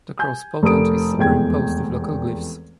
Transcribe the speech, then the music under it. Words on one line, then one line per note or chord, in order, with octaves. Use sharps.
The cross potent is superimposed with local glyphs.
G#5 G6
F1 A4 A#4 D#6 D7
F1 E2 G#3 G5 G#6